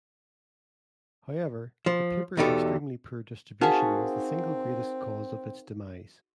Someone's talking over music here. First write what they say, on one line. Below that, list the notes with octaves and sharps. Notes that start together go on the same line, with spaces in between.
However, the paper's extremely poor distribution was the single greatest cause of its demise.
F3
E2 B2 D#4 G4 A4
C4 D#4 F#4 G#4 A#4 F5 F#5 A5